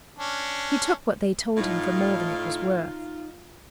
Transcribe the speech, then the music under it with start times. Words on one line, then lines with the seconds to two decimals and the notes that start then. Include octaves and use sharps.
He took what they told him for more than it was worth.
0.19 C#4 D4
1.57 A2 D#4 F4